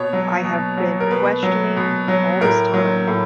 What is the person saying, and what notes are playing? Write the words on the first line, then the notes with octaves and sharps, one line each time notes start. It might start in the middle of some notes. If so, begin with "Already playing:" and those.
I have been questioning all this time
Already playing: B2 C#5
F#3
B2
F#3
A#4
B2 B4
F#3
B2
F#3
A2 A#4
F#3
A2